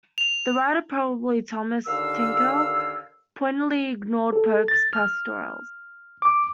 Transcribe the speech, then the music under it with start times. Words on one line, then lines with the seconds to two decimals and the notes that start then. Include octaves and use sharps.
The writer, probably Thomas Tickell, pointedly ignored Pope's pastorals.
0.18 F7
1.87 D#2 A#2 D3 F5 E6
4.32 A4
4.68 A6
4.93 F6
6.22 D6